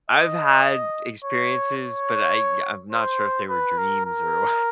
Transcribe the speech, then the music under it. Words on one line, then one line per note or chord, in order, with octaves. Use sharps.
I've had experiences, but I I'm not sure if they were dreams or wha
D#5
C#5
C#5
C5
B4
A#4
A#4